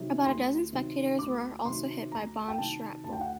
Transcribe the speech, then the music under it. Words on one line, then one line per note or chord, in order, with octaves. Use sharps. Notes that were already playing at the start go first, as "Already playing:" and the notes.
About a dozen spectators were also hit by bomb shrapnel.
Already playing: C3 D#3 F#3
D2 C6
C3 D#3 F#3
D2 D6
C3 D#3 F#3 C6
D2 A#5
G5
C3 D#3 F#3 A5
D2 A5
G5
F#5